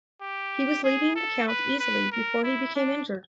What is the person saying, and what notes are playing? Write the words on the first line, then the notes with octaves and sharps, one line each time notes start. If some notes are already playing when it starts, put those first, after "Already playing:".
He was leading the count easily before he became injured.
G4
G#4
A4
B4
B4
A#4
E4
D4